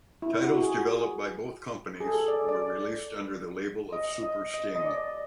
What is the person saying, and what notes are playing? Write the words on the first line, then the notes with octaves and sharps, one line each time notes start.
Titles developed by both companies were released under the label of Super Sting.
E4
F#4
G#4
G#4
A4
D5
D5
D#5
D#5
D#5
D#5
D5